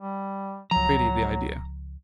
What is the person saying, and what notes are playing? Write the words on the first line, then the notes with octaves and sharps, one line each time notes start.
Pretty, the idea!
G3
C#2 F3 F#3 A#5